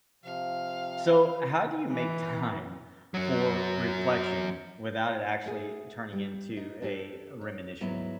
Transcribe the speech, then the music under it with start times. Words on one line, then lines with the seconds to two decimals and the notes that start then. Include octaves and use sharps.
So how do you make time for reflection without it actually turning into a rumination?
0.24 C3 F3 F5
1.91 E3
3.14 F#2 F#3
5.46 A3 G#4
6.12 G3
6.57 D#4
6.82 D4 G4 A4
7.41 C#5
7.81 G#2 F#3 B3 E4